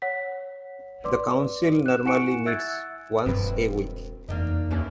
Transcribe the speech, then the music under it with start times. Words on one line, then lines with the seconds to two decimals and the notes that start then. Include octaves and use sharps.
The Council normally meets once a week.
0.02 C#5 F#5 B6
1.04 B4 D5 C6 D6
1.86 F#6 E7
2.05 E4 F#5 G#5 C#6 C#7 D7
2.46 E5 E6 F#6 G#6 A6
3.26 E1 G2 F3 C4 B4
4.28 F1 E2 A#3 D4 D#4
4.71 D#2 E3 C#4 D4